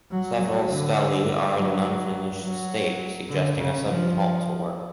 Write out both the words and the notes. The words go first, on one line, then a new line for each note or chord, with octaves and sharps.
Several stelae are in an unfinished state, suggesting a sudden halt to work.
F#3
F#3
D3
F#3
F#3
D3
C#3
F3